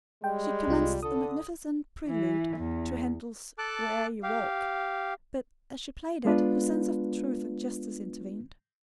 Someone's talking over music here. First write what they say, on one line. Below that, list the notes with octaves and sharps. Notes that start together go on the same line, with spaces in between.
She commenced the magnificent prelude to Handel's "Where'er you walk," but, as she played it, her sense of truth and justice intervened.
G3 G#3 G5
C2 C3 F4
D3 A4 D#6
E3
E2
A4 A5 D6 F#6
G4 F5
G#3 B3 D4 F4 B4